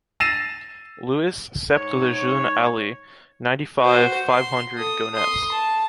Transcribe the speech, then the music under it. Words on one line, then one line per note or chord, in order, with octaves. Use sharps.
Louis sept Le Jeune Alley, ninety-five, five hundred, Gonesse.
E6 A6 A#6 C7 D#7 E7
G#2 C#5
F#4 C5
C6
A4 D#6
C6 D#6
A5